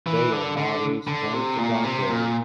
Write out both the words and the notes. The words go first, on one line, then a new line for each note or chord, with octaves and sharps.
Bayer nowadays claims the contrary.
E3
D3
D3
D3
C3
A#2
C3
A#2